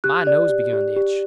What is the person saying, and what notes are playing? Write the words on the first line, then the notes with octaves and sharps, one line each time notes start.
My nose begun to itch.
G4 F#6
D5
G4
G4
G4